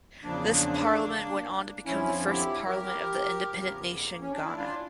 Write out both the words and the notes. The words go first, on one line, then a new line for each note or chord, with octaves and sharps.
This parliament went on to become the first parliament of the independent nation Ghana.
E2 C#3 F3 A#3 D4
F2 D3 F3 C#4 E4
E4 G4
G4 A#4
E2 C#3 F3
A#3
C#4
D4
E4
D4 F4